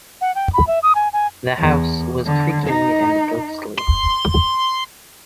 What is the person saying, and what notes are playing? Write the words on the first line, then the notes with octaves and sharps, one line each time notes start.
The house was creaking and ghostly.
F#5
G5
B5
E5
D#6
G#5
G#5
E2
D3
D#4
C6